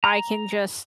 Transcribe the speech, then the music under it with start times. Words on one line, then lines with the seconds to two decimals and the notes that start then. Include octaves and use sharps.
I can just
0.04 A#5